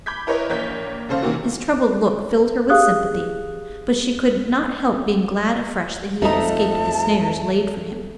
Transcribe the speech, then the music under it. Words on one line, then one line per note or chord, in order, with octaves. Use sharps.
His troubled look filled her with sympathy, but she could not help being glad afresh that he had escaped the snares laid for him.
B5 D6 G6 G#6 B6
E4 A#4 B4 C#5 D#5
A#1 A#3 C#5 G6 B6
G#1 C#3 A4 C5 F5
C3 D#3 E3 A#3 F#4
G4 G#4 F5 D#6 F#6
F2 A3 D#4 A5 A#5